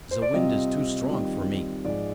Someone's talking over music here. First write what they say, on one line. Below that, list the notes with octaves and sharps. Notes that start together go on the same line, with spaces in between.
"Ze wind is too strong for me!"
C5
D5
C3 G3 C4 F4 D#5
D#3 G3 C4 F4
G#2 F3 G#3 D5